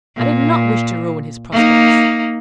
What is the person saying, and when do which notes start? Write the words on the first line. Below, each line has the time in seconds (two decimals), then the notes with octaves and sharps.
I did not wish to ruin his prospects.'
0.17 A#2
1.52 A#3 D#4